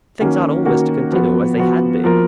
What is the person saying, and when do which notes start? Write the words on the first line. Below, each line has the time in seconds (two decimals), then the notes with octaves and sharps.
Things ought always to continue as they had been.
0.20 D#3 A#3 C#4 F#4
0.65 D#3 A#3 C#4 F#4
1.12 F3 B3 F#4
1.58 F3 B3 F#4
2.04 F3 A#3 F4 A#4